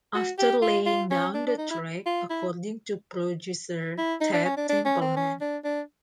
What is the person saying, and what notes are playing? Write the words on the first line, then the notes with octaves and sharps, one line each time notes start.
After laying down the track, according to producer Ted Templeman.
F#4
G4
F4
F4
C#4
D4
D4
D#4
E4
F4
E4
E4
D#4
D4
C#4
D4
D4
C#4
C4
C#4
D4
D4